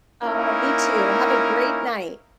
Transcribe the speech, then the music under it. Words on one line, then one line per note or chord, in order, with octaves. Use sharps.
Oh, me too. Have a great night.
A#3 C#4 D#4 E4 A#4